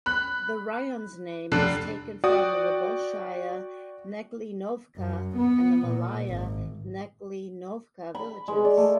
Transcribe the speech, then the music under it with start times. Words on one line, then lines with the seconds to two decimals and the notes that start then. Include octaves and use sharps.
The raïon's name is taken from the Bolshaïa Neklinovka and Malaya Neklinovka villages.
0.06 B5 F#6
1.52 F1 D4 A4 F#6 C7
2.24 F#4 D5 G5 D#6
4.97 F#2
5.37 B3
5.86 A#2
6.28 G#1
8.15 B5
8.48 G#3
8.65 D5
8.77 A3